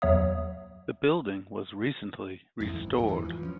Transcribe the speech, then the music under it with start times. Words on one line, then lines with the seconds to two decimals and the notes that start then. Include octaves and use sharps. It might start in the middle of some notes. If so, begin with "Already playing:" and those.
The building was recently restored.
0.02 E2 F#3 C#5 E5 D#6
2.61 F2 G#2 E3
2.79 G#1
2.95 D#1 G2 E3
3.07 E2 G#2 E3
3.25 E3 F3
3.44 F3 C#4